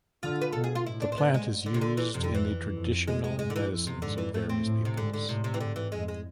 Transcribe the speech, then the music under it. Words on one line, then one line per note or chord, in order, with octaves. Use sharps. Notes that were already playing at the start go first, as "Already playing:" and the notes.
The plant is used in the traditional medicines of various peoples.
D3 F4
B4
B2 A4
G#4
F4
A2 E4
D4
C4
B3
G#3
G#2
D3
C3
D3
E3
F2 C3
D3
E3
F2
A2 G#3
G#3
G#2 G#3
D3
E3
F2
C3
G#2 D3
E3
A2 A3
C4
A2
C3
G#2 D3
D3
A2 C3
C3
E3
G#2 D3
E3
F2 G#3
G#3